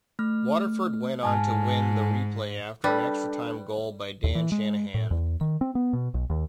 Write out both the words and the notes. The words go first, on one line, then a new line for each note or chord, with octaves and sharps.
Waterford went on to win the replay after an extra-time goal by Dan Shanahan.
A3 F6
G#2 G#5 A5 F6
G3 D4 A4 B4
D#2
E3
G#3
A2
E2
D#3
C4
B3
B2
B1
D#2